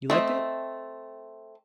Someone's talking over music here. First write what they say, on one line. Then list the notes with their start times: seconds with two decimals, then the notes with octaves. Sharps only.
You liked it?
0.10 A3 C4 D#5